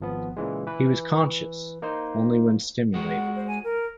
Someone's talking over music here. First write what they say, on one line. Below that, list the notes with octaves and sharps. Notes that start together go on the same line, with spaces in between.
He was conscious only when stimulated.
G#1 F3 B3
A#2 C#3 E3 G#3
E3 B4
A#3 D#4 C5
G#3 F#4 F#5
C5
G#5
A#4